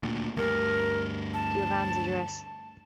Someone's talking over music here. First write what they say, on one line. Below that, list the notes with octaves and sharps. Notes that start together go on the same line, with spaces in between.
Do you have Anne's address?
D2 A#2
D2 G2 A#4
A5